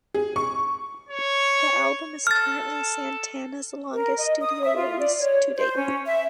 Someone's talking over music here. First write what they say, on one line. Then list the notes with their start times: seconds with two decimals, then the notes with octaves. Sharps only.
The album is currently Santana's longest studio release to date.
0.14 G#4
0.36 C#6
1.09 C#5
2.27 A4 F6 A6
3.93 A#4
4.18 D#5
4.41 D#6
4.63 E5
4.77 F4
4.99 D5
5.20 C#5
5.56 C5
5.76 C#4
6.06 E5